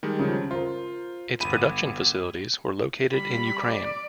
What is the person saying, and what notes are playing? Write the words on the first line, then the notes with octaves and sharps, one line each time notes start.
Its production facilities were located in Ukraine.
D#3 G3 G#3
C#3 F3
F4 A#4 C5
G1 B5 D#7
G3 B5
D5